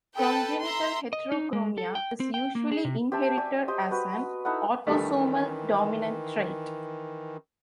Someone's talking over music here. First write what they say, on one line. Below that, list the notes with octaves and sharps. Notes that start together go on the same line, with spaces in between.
Congenital heterochromia is usually inherited as an autosomal dominant trait.
A4 B4 G5 A5
E5 A#5 C6
D#5
D#4
G#3
A4
G5
C4
G5
A#3
G#4
C3
G4 C5 E5 A5
G4 D5 G#5
G4 C5 D#5
F#4 B4
D#4 E4 A4 F#5
D2 D#3 E3 G3 A3